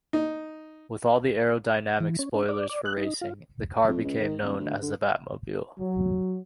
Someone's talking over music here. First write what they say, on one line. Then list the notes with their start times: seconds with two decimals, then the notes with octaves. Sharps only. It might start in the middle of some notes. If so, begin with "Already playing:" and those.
With all the aerodynamic spoilers for racing, the car became known as the 'Batmobile'.
0.13 D#4
2.00 E3
2.19 C#4
2.35 D4
2.49 D5
2.70 D5
2.86 F#6
2.97 D#4
3.22 F4
3.88 F2
4.04 C#2
4.20 D#3
4.43 D#1
4.59 D2
4.82 D3
5.78 F#3